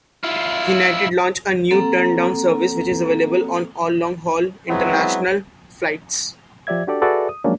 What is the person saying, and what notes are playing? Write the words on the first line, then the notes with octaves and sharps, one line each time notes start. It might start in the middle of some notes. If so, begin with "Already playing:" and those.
United launched a new turn-down service which is available on all long-haul international flights.
E4 F4
A#3 C4 A4 F#5 A#5
F#3 G#3 B3 C4 E4
F3 G4 D5 E5 G#6
D4 F#4 G4 A4 D5
F#4 G#4 A4 B4 D5 E5
D#6
F3 F#3 G#3 A#3 C#4 D4